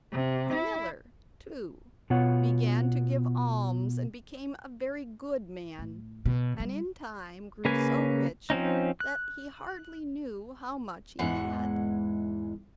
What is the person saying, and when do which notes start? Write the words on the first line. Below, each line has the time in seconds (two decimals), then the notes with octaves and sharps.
The miller, too, began to give alms and became a very good man, and in time grew so rich that he hardly knew how much he had.
0.11 C3
0.53 E4
2.10 B2 B3 F4 C#5 F#5
5.79 A2
6.26 B2
6.60 G3
7.65 C#3 A#3 C#4 B4 G#5
8.50 F3 C4 C#4 D#4
9.00 F#6
11.19 E2 G#2 E3 G#3 F#5